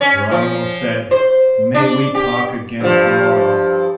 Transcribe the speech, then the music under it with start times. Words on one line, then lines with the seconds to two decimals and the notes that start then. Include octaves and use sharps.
Geronimo said, "May we talk again tomorrow?"
0.01 C#4
0.31 F3
1.11 C5
1.75 D4
2.15 G4
2.80 G2 F3